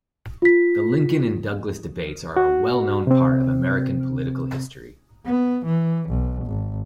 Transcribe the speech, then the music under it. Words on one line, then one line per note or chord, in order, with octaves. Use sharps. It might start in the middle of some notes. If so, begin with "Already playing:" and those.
The Lincoln and Douglas debates are a well known part of American Political history.
F4 B6
F#4
C3 C4
B3
E3
B1
G#1